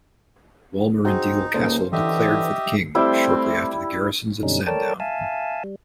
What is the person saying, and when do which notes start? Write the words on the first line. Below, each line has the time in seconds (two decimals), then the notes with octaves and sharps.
Walmer and Deal Castle declared for the King, shortly after the garrisons at Sandown.
1.05 C4 D#4 F#4 G#4
1.54 C#2 C#3 A#3 A4 C5
1.92 D3 E3 G4 D#5 E5
2.95 G3 A3 C4 E4 G5
4.43 F#2 B2 D3 G3 C#4 D#4
4.67 A4 A#4 C#5 D5 G5 A5
5.00 E5 F5 G#5 A5
5.64 G3